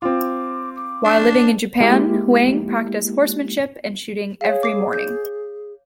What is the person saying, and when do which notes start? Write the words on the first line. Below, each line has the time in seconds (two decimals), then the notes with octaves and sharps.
While living in Japan Huang practiced horsemanship and shooting every morning.
0.02 C4 F4 D6
0.76 D6
1.05 D4
1.81 G#3 A#3 E4 G4
4.41 G#4 C#5 F5
4.63 D6 C7
4.93 G6